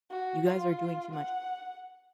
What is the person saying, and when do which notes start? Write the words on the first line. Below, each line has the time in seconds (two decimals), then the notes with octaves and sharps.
You guys are doing too much."
0.10 F#4
0.47 F4
1.13 F#5